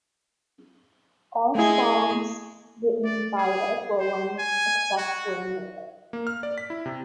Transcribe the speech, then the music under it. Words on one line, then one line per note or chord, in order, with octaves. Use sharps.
All songs written by Ed Roland, except where noted.
G#3 A3 E4 G#4
D5
G#4
C5
G#5
F#4
A#3
F6
D5
B6
E4
C3